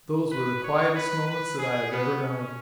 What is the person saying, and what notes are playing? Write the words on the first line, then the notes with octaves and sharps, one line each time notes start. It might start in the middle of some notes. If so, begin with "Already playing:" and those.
Those were the quietest moments that I have ever known.
B4
C#5
B4
B4
G#4
B3
C#4